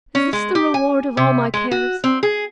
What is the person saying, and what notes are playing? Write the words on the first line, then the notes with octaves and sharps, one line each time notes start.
Is this the reward of all my cares?
C#4
G#3
G4
G#5
C3
G#3
F#4
C4
G#4